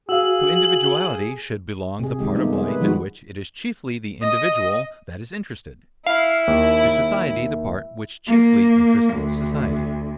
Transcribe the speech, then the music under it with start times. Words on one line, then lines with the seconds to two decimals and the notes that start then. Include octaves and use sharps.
To individuality should belong the part of life in which it is chiefly the individual that is interested; to society, the part which chiefly interests society.
0.09 F#4 G#4 F5 E6 F#7
1.99 C3 G#4
2.19 D#3 G#3 G4
2.35 G3 A3 B3 D#4 F4
2.53 G3 G#4
2.68 B4
2.81 D#3 F3 G3 G#3 D#4 F#4
4.21 D#5
6.06 E4 F5
6.47 D#2
8.27 A#3
9.13 D2